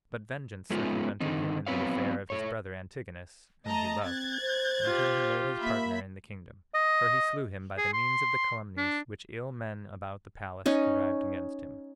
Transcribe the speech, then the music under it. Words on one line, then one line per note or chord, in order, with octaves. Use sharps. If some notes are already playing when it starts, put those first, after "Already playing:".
But vengeance circumvented him in the affair of his brother Antigonus, whom he loved, and whom he made his partner in the kingdom; for he slew him by the means of the calumnies which ill men about the palace contrived against him.
G#3 A3 B3 C#4 D#4 F4
D3 D#3 C4 D#4
F#3 B3 C4 B4 C#5 F5
A3 C#5
A3 D#5 A5 A#5
C4 F#6 G#6 A6
C5
F4 G4
A#3 E5 B5
D#5
G#4
C6
D4
C#4 D#4